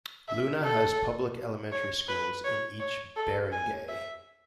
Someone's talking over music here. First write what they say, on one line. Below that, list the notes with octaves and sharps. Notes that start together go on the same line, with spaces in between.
Luna has Public Elementary schools in each barangay.
E5
A4
C#5
B4
C#5
C#5
A4
G#5
E5